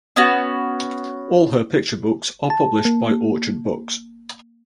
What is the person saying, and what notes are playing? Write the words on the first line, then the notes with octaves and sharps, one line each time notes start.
All her picture books are published by Orchard Books.
B3 C#4 F#4
A5
A#3